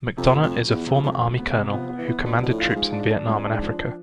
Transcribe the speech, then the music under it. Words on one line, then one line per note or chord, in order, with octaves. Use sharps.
McDonough is a former Army colonel who commanded troops in Vietnam and Africa.
F2 C3
D2
F2
F3
E2 B3
C3
F2
G#2 F3
F2
D2
B3
C3
F3 B3
B3
E3
B3
B2 D4
B2 F3
A2
F4
A2
G#2 G#3
D4
D4
F2 G#3
D4
G#2
F3
D4